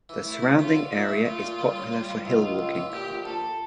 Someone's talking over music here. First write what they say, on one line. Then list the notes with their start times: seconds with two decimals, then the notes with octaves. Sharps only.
The surrounding area is popular for hill-walking.
0.09 E3
0.26 A3 E4
0.42 A3
0.59 C#4 F4
0.76 D3
0.92 A#2 E4
1.09 A3
1.25 A3 F4
1.42 A#2
1.59 G3
1.76 C#3
1.92 G3
2.09 G3
2.25 C#2 F4
2.42 C#2
2.59 C#2
2.75 E3
2.92 A#2 G4
3.08 A#1
3.25 A#1 A4